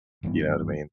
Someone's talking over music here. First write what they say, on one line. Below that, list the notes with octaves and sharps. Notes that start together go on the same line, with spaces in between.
You know what I mean?
G#1 G2 E3 B3